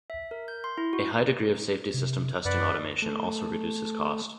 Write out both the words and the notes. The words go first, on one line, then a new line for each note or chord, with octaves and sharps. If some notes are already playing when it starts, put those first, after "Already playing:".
A high degree of safety system testing automation also reduces cost.
E5
A#4
G6
C6
E4
F#4
C3
F#2 B4 D5 F#5
A3